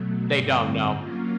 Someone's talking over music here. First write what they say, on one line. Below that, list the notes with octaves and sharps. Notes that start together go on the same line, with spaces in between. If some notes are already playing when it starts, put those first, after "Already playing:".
They don't know.
Already playing: B2 F#3 A3
G2 D3 G3 C4
F#3 A#3 C#4 F4